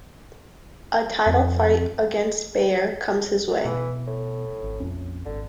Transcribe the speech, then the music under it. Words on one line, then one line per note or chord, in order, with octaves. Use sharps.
A title fight against Baer comes his way.
F2
B2 E3
A2
G#1
A#1 F2 C#4
G#1 D3